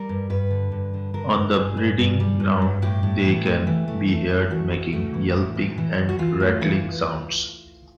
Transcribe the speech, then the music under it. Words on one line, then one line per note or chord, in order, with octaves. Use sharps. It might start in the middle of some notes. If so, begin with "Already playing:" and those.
On the breeding grounds they can be heard making yelping and rattling sounds.
Already playing: G3 A#4
G2
G2 B4
D3
G2
D3
D3 A#4
G2
G2 G#4
G2
G2
G3
G2
G2
A2 G4
A2
E3
A3
E3
A3
A3
A3
E3 F#4
A2
A3 F#4
E3
A2
E3
E3
E3
F#4
E3 F4
A3
E3